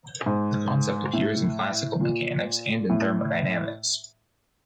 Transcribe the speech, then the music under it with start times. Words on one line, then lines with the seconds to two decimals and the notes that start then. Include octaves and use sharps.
The concept appears in classical mechanics and in thermodynamics.
0.26 G#2
1.13 A2
2.01 A#2
2.89 A2